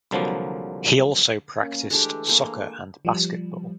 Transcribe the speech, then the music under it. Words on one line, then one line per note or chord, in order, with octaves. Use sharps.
He also practiced soccer and basketball.
C2 D3 F3 F#3 A#3
A#3 C#4
E3 G#3 A3 D4 G4 A4
G#3 A#3
F3 G3